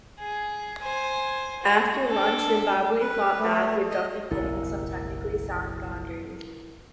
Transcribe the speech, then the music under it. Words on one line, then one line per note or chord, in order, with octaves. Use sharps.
After lunch, Zimbabwe fought back, with Duffin hitting some technically sound boundaries.
G#4
C5 G#5
F#4
D4 A4
B4
A3
D#5
F#1 B1 E4 A#4